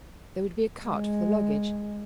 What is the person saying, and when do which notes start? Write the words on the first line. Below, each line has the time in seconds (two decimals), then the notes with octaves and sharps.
There would be a cart for the luggage.
0.83 G#3